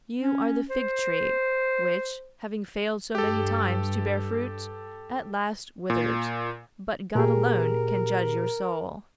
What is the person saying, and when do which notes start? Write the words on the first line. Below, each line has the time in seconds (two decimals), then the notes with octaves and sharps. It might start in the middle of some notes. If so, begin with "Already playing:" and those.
You are the fig tree which, having failed so many times to bear fruit, at last withered, but God alone can judge your soul.
0.20 C#4
0.70 C5
3.15 G2 G4 A4
5.90 A#2
7.15 A#2 G4 G#4 A#4